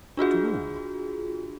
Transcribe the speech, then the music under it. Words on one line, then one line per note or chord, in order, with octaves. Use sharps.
"To whom?"
D4 F4 F#4 G#4